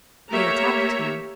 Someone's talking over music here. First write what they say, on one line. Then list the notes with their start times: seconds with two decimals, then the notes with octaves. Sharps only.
They attacked him.
0.31 A3 A#3 G4 C#5 E5 A#5